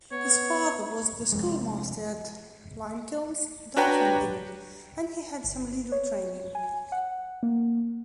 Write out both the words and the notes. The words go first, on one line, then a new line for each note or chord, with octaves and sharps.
His father was the schoolmaster at Limekilns, Dunfermline, and he had some legal training.
B3 C#5
F1 F2 G#3
D4 F#4 B4 C#5 G5 A#5
G1
C#5
G#5
F#5
A#3